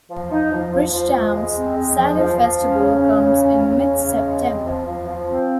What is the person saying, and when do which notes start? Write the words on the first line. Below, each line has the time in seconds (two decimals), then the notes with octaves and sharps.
Bridgetown's Cider Festival comes in mid-September.
0.11 F3
0.31 D#4
0.52 F3
0.72 F3
0.93 F3
1.14 G#3
1.35 G#3
1.55 C4
1.76 G#3
1.97 F3
2.17 F3
2.38 F3
2.59 C#4
2.80 C#3
3.00 C#4
3.21 C#3
3.41 C#4
3.63 C#3
3.83 C#4
4.04 C#3
4.25 G#3
4.45 C4
4.66 F3
4.86 F3
5.07 F3
5.28 C4